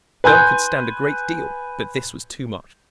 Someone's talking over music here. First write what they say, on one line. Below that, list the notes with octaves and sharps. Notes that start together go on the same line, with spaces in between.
The girl could stand a great deal, but this was too much.
B4 G#5 C6 G6